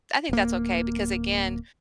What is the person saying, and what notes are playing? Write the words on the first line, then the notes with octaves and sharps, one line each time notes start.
I think that's okay, because again,
D1 A#3